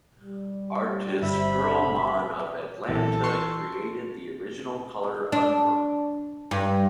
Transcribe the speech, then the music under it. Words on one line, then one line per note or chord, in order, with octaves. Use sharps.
Artist Pearl Mann of Atlanta created the original color artwork.
G3
G1 C3 E5 B5
B1 A#2 E3 A4
C6 C#6
D4
G2